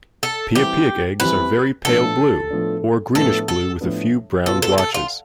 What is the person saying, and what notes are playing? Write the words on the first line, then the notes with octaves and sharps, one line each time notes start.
Piapiac eggs are very pale blue, or greenish-blue with a few brown blotches.
A4
E3 G3 C4 E4 G4
E3 G3 C4 E4 B4
A2 F3 B3 D4 A4
A2 F3 B3 D4
A2 F3 B3 D4 A4
A4
A2 F3 B3 D4
B2 B3 F4 A4
A4
A4
F4